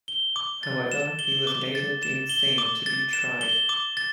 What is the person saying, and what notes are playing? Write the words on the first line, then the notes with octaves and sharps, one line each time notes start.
However, he was later deemed sane to be tried.
G7
D6
A6
E7
G7
D6
A6
E7
G7
D6
A6
E7
G7
D6
A6